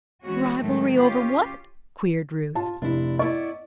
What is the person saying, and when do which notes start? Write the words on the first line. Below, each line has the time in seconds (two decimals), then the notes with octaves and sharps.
"Rivalry over what?" queried Ruth.
0.24 E3 G#3 C#4 F#4
0.60 A2 D#3 F#3 G#3 A3
0.97 C#4 F4 G4
2.55 F4 A5
2.82 F1 D4 E4
3.19 B3 E4 D5 D#5 C#6